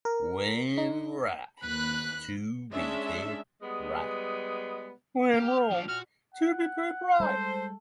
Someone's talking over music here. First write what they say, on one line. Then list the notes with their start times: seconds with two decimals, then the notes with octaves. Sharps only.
When right, to be kept right; when wrong, to be put right.
0.05 A#4
0.78 D#4
1.63 D#2 B4 B5 F#6
2.72 G#3 C#4 D4 E5
3.62 G3 G#3 B3
5.34 G4 G5 F6
5.71 F3 D4
5.88 A#2 F#4 F6
6.34 F#5
7.20 G3 G#3 A4 C5